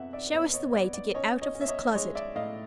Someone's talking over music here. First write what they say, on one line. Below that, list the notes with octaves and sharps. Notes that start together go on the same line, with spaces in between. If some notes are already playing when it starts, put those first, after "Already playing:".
Show us the way to get out of this closet.
Already playing: F2 B3 E5 F#5
D5 E5
B3 C#5 D#5
C#5 D#5
B3 D5
D5
C#4 C#5 D#5
C#5 D#5
C#4
E5
C#5 D#5
G#3 C#5 D#5
D5 E5
A2 D#5 F5